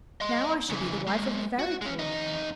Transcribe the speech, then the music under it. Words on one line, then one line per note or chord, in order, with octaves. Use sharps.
Now I shall be the wife of a very poor man.
D#5 C6
C#3 E3
G#3 A#3
F#4
G#3 C#4
F2 D#4